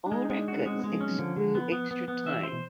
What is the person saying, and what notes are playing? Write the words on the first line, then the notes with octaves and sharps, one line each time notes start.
All records exclude extra time.
D4
G#3 D#4
G#3 D#4
D4
C#4 F#4
G#3 C4
B3
G#3
F3
C#4
F#3
D3 F3
D3
B3
B3
B3
B3
E3 E5
C5
B2